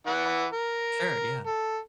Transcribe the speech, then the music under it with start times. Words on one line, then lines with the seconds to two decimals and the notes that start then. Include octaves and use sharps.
Sure, yeah.
0.07 E3 B4 F#5
0.53 A#4
1.46 A4